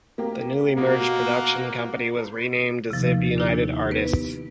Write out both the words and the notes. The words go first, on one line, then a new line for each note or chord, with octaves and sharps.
The newly merged production company was renamed Ziv-United Artists.
A#3 G4
B2 A#3 F#4
D#2 C3 F3
D4 E4 G4
B3 B4